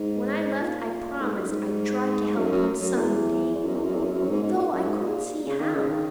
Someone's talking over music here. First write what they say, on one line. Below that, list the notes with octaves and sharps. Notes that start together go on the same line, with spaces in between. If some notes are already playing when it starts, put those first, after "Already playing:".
When I left I promised I'd try to help him someday, although I couldn't see how.
Already playing: G#2
A#2
G#2
F#2
G#2
F#2
F#2
F#2
E2
E2
F#2
E2
F#2
E2
F#2
F#2
G#2
G#2
A#2
F#2
G#2
A#2
C#3
D#3
C#3
D#3